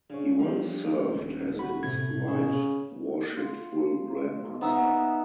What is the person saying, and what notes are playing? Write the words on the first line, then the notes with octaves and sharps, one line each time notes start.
He once served as its Right Worshipful Grand Master.
C#3 D4 C#5
F3 G3
D#1
F#4 B5
A2 C3 A3 G#6
C#3
F4
B3 D#4 E5 F#5